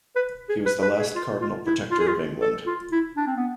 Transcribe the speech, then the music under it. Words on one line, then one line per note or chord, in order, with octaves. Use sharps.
He was the last cardinal protector of England.
B4
G#4
B4
B4
G#4
F4
F4
E4
F4
G#4
F4
A4
F4
E4
D4
C4
B3